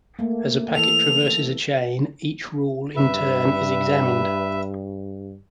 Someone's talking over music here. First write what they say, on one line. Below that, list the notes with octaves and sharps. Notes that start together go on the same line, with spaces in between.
As a packet traverses a chain, each rule in turn is examined.
A3 A#3
E3 A4 F7
G2 B4 E5